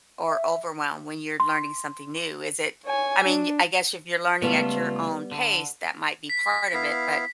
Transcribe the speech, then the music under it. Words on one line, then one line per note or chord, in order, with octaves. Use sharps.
or overwhelm when you're learning something new? Is it I mean, y I guess if you're learning at your own pace, that might be part of it, but
E5
C6
C#5 G#5
D4
C#2 G3 A3 B3 F4
D3
B6
B3 E4 F5